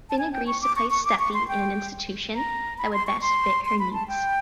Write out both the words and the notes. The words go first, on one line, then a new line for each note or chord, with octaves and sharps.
Finn agrees to place Steffy in an institution that would best fit her needs.
A5
G#5
G5
C#6
D6
C#6
C#6
D6
C#6
C6
G5
A#5
B5
C6
C#6
C6
C6
B5
A5
G5